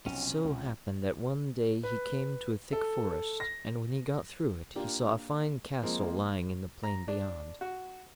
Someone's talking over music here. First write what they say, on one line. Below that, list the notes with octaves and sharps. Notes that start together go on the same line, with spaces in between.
It so happened that one day he came to a thick forest, and when he got through it, he saw a fine castle lying in the plain beyond.
B1 C3 F3 C#4
C#2
B4
A4
A#6
A#3 D4 F4 G4
F3 G#3 A#3 C4
A#5
D4
F#4